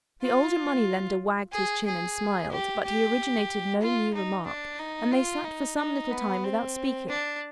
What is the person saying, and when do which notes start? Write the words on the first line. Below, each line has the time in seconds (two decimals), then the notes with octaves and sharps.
The older money-lender wagged his chin and smiled, but he originated no new remark, and they sat for some little time without speaking.
0.22 F4
1.53 G#4
1.86 G#4
2.51 G4
2.84 G4
3.81 F4
4.14 D#4
4.47 D4
4.79 D#4
5.12 F4
5.45 D#4
5.79 D#4
6.11 B3
6.44 C4
7.09 D4